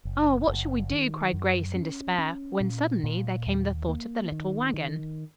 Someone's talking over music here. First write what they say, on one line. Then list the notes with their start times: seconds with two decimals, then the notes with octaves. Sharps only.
"Oh, what shall we do?" cried Grace in despair when suddenly there came the thought of the little wagon.
0.05 F#1
0.48 F#1
0.91 D#3
1.33 F#2
1.75 C#4
2.18 C#4
2.60 A#2
3.04 A#2
3.46 D#2
3.89 A#3
4.32 D#3
4.74 D#3